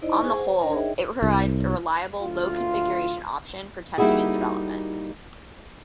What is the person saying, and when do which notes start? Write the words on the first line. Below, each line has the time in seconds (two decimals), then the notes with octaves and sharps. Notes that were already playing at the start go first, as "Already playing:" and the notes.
On the whole, it provides a reliable, low configuration option for testing in development.
0.02 D#4 E4 C5 D5 D#5
0.20 G#4 C5 G#5 C#6
0.35 C5 F#5
0.48 A#5
0.61 D4 A#4 C5 C#5
0.72 D#4 G#4 C#5 D#5 E5 G5
1.22 C2
2.20 D2 F4
3.98 G3 A#3 D#4 E4 F#4 G#4